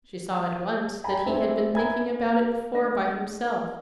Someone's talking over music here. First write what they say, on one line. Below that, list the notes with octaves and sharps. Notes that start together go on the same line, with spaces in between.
She saw at once that he had been thinking about it before by himself.
G5 G#5 A#5 B5
C4 D4 E4 A4 G#5
E5 G#5 A#5 B5 G#6
A#3
A3 D4 D#5 A#6